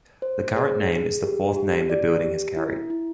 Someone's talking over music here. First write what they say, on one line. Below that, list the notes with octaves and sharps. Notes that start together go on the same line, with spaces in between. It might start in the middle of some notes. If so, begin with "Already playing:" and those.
The current name is the fourth name the building has carried.
C5
G#4
G#4
G4
G4
D5
G4
E4
E4